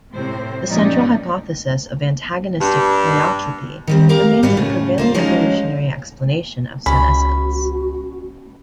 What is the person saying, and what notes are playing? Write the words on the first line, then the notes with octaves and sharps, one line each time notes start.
The central hypothesis of antagonistic pleiotropy remains the prevailing evolutionary explanation of senescence.
A2 C3 C4 C5
G2 A#2 F3 C#4 D#4 D5
G2
D#3 G3 C4
G4 A#4 F5 A#5
G#2 G3 F#4 G4 D5
A2 C#3 A3
A#3 F4 C5
F3 F#3 G#3 C#4 D#4
C#2 C#4 F#4 B5